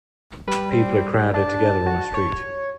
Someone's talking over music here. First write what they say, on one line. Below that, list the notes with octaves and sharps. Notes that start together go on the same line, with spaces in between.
People are crowded together on a street.
G3 B4
C4
D4 A5
F#4
C#5